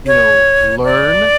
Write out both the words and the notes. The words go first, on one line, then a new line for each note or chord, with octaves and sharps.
you know, learn,
C#5
D5